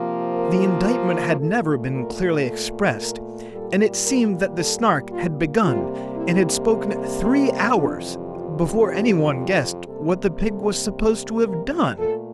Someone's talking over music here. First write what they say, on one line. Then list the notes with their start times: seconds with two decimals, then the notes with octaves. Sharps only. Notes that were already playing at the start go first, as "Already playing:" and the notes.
The indictment had never been clearly expressed, And it seemed that the Snark had begun, And had spoken three hours, before any one guessed What the pig was supposed to have done.
Already playing: C3 F3 A#3
0.33 A#4
1.39 A#2 A3 A4
1.92 A#4
2.45 A4
2.98 A#4
3.50 A#2 G3 A#3 A4
4.04 A#4
4.57 A4
5.09 F4
5.62 C3 G3 A#3 F4
6.15 E4
7.21 C4
7.74 F2 C3 E3 G3 D4
8.27 F4
8.80 G4
9.86 C3 G3 A#3 A4
10.40 A4
11.45 A#4
11.97 A#2 A3 A4